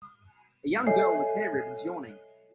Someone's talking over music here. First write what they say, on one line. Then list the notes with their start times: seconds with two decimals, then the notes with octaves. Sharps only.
A young girl with hair ribbons yawning.
0.87 A4 C#5 D#5 E5 G#5 C7